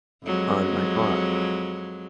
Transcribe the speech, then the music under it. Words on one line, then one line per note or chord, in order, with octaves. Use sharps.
on my car.
F2 F#3 G#3